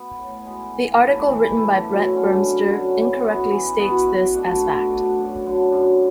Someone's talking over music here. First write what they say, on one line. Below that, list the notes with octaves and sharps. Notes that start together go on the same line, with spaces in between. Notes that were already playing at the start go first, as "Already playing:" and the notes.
The article written by Brett Burmster incorrectly states this as fact.
Already playing: B3
A2
G#3 B3
E3
A3 E4
E3
A3 E4
F#2
D3 F#3 C#4
F#2
D3 F#3 C#4
E3
B3 F#4
E3
B3 F#4
B2
A3 D4 F#4
B2
A3 D4 F#4
F#2
D3 F#3
F#2